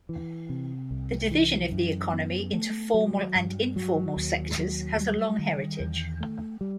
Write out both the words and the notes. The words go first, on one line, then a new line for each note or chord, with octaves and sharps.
The division of the economy into formal and informal sectors has a long heritage.
E3
C3
C2
E3
F#2
B3
A3
F#3
G2
F#3
D#2
F#3
G3
D#3
E2
A3
G3